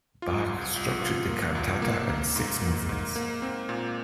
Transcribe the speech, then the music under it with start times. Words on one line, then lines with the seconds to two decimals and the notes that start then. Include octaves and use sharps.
Bach structured the cantata in six movements.
0.22 F4
0.49 C2
0.76 C2
1.02 F4
1.29 A#3
1.55 C2
1.82 A#3
2.09 A#3
2.36 G#2
2.62 A#3
2.89 G#2
3.16 A#3
3.42 C4
3.69 A#2